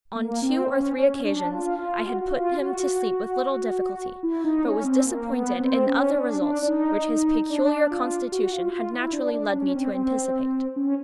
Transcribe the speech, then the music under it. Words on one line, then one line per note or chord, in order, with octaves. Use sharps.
On two or three occasions I had put him to sleep with little difficulty, but was disappointed in other results which his peculiar constitution had naturally led me to anticipate.
A#3
C4
C#4
C#4
D4
F4
F4
F#4
F#4
F4
F#4
E4
D#4
C#4
C4
A#3
B3
C4
C#4
D4
D4
D4
D#4
D4
F4
F#4
F4
F4
E4
D4
D4
C#4
C4
C4
C#4